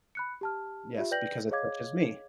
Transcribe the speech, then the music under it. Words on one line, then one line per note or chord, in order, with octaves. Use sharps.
Yes, because it touches me.
B5 F#6 C#7
G4 A5 F6
F4 G4 E5
B4 D5 G5 G6 A#6 F#7
G#4 C#5 D#5 F5 D6 G#6